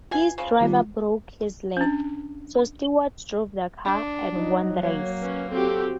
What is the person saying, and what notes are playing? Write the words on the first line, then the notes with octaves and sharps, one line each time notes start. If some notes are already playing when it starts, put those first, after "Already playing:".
His driver broke his leg, so Stewart drove the car, and won the race.
B2 F4 G#5
C#3 F3
D#3 G3 B3 F4
C#4 D4
D4
F#3 D#4
A#3 C#5
C#4 B4
C4 F#4 G4 A4